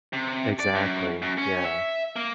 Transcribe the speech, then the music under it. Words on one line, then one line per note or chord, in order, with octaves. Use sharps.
Exactly, yeah.
C3
D5
F#2
F#2
C#4
E5
A#3